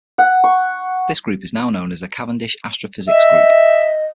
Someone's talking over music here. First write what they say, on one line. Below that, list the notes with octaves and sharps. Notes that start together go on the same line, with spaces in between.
This group is now known as the Cavendish Astrophysics Group.
F#5
C#6
D#5 E5